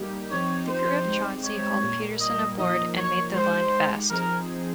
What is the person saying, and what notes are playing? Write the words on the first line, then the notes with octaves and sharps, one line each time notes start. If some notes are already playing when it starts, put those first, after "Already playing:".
The crew of "Chauncey" hauled Peterson aboard and made the line fast.
Already playing: G3 A#3 D#4 G4
F3 C4 D#4 G4 C#5
C5
G#3 C4 D#4 G4
C#5
A#2 G3 A#3
D#5
A#2 F3 A#3 D#4 D#5
C#5
G#3 D#4 G4 C5
F3 C4 D#4 G#4 A#4